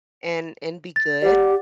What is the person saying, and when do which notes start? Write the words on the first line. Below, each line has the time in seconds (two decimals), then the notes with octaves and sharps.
and and be good.
0.96 A6
1.22 G4 D5 F#5